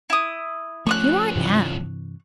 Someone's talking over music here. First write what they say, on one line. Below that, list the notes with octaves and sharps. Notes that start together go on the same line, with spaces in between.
Here I am.'
E4 D#6
F3 A3 C#4 C#6 D#6 F#6
G2 C3 E3